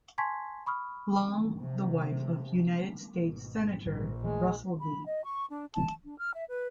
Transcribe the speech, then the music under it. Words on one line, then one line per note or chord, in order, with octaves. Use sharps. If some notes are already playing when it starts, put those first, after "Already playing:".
Long, the wife of United States Senator Russell B.
G#5 A5 C6 C#6 G#6 B6
B5 C#6 D#6 F6
C3
G#1 B2
A#1 G#2 D3 G3
D#1 E3 G#3 A3
B5
D#5
C#6
D4
A5
D4
F6
E5
B4